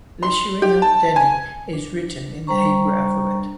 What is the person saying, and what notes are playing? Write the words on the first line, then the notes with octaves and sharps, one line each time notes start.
Lishana Deni is written in the Hebrew alphabet.
C6
G4
A5
G#5
D4
G3 D4 C5 A#5 C#6